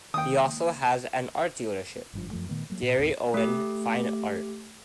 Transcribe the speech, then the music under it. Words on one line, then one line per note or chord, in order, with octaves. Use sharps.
He also has an art dealership, "Gary Owen Fine Art".
D#3 G#3 A#3 G5 D#6
G#1 G2 F3
F#2 F3 A3
A#2 D#3 A3 B3
F#3 G3 A#3
A#2
D#2 A2 C4
A3 G4